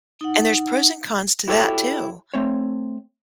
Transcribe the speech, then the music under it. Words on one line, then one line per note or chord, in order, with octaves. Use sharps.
And there's pros and cons to that too
D#4 F#5
E4 F#4 G4 A4 B4 C#5
A3 C4 C#5